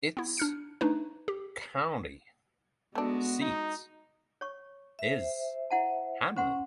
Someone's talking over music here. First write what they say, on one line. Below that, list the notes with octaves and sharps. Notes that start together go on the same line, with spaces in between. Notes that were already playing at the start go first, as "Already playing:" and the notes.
Its county seat is Hamlin.
B3 E4
D4 F6 C#7
A3 D4 D#4 B4
G4
G#3 A3 B3 D4 F#4
D#4
C#5 C#6
C5 E5
E4 F#5 A5
C#4 C5 F#5 C6